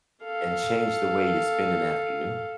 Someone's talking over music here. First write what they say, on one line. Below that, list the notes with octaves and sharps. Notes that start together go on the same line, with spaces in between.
and change the way you spend an afternoon?
A4 F5